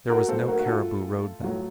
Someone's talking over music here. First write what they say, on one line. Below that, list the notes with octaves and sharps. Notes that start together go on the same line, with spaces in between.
There was no Cariboo Road then.
F#4 A#4
A2 F#3 A4 C5
F#4 A#4
F#4
F4 A4
A2 F#3